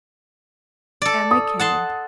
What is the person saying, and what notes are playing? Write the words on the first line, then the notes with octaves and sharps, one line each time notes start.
And they came.
A4 D5
D#6
F#5 A5 C6